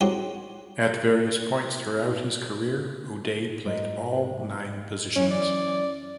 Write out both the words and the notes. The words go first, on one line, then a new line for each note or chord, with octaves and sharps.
At various points throughout his career, O'Day played all nine positions.
G#3 C4 C#4 D#4 F#4 G4
G#2
F#2 E3 C#4
D5